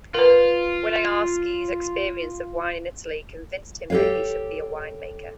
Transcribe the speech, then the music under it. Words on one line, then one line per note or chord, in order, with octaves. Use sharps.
Winiarski's experience of wine in Italy convinced him that he should be a winemaker.
F4 A#4 B4
G4 A4 B4 C#5 F5